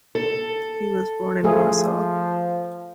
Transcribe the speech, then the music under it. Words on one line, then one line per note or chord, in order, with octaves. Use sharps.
He was born in Warsaw.
A4
F3 A3 G#4